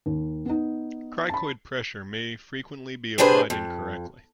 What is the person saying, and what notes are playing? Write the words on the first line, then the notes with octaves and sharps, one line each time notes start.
Cricoid pressure may frequently be applied incorrectly.
D#2
B3 D#4
A5 B5
C3 G3 D4 G#4 B4 C5
F2